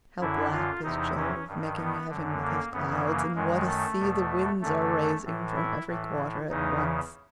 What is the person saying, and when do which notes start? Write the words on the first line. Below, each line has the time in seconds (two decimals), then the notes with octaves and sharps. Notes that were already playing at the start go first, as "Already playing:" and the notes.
How black is Jove making heaven with his clouds, and what a sea the winds are raising from every quarter at once.
0.21 F#2 D3 E4
0.52 F4
0.83 E2 C3 E3 D#4
1.16 C#4
1.47 G2 D#3
1.78 B3
2.09 F#2 D3
2.41 A#3
2.72 F#2 C#3 E3 B3
3.04 A#3
3.35 F#2 D#3 G#3
3.66 A3
3.98 E2 B2
4.61 F#2 D3 A3
5.25 A2 E3
5.56 E4
5.87 A2 E3
6.50 E2 C#3 E3 D#4